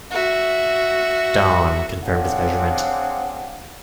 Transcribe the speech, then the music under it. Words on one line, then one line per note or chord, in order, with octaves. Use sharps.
"Dawn" confirmed this measurement.
F#4 E5
C4 D4 G#4 C#5 F5 F#5